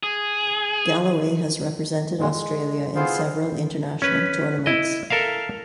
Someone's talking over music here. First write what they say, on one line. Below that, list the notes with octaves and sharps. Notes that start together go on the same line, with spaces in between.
Galloway has represented Australia in several international tournaments.
G#4
F#2 A#2 D#3 G#3
G#3
B3 E4 F4 G#4 C5 F5
C#4 B4
E4 D#5
A4 A#4 E5 F5